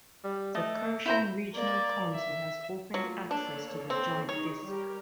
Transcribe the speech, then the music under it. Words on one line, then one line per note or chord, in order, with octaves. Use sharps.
The Kherson Regional Council has opened access to the joint disk.
G3
A3 D#5
E4 C5 A#5
A#3 D5
E5
F#3 A3 A#3 F4
A#3 D4 A4 C#5
C4
D#4 G#4 C#5
G3 G4 A#4